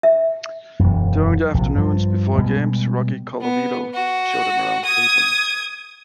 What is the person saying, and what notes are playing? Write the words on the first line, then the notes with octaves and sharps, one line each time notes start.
During the afternoons before games, Rocky Colavito showed them around Cleveland.
E5
E1 F#2
A#1 C3
G2 F3
B2 G3 G#3
B3
F#4
D#6 G#6